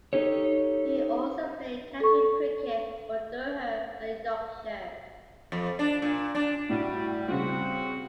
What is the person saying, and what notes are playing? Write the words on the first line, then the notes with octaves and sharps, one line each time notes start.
He also played county cricket for Durham and Yorkshire.
D#4 G4 A4 C#5
A4 C#6
F2
D4
A#2
D4
A2 G3 F#4
C#3 G3 C4 F#4